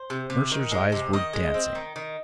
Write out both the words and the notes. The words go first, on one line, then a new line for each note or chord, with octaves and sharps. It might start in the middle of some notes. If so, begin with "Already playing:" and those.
Mercer's eyes were dancing.
Already playing: C5
C3
C3
D#3
G#3
C3
D#3 D#5
G#3
C4
D#3
D#3